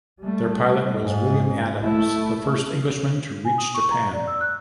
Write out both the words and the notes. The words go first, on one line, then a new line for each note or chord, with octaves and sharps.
Their pilot was William Adams, the first Englishman to reach Japan.
G3 A3
G#2
A3 E4
G#5
D#6
C#6
A#5
D5
E6
F#6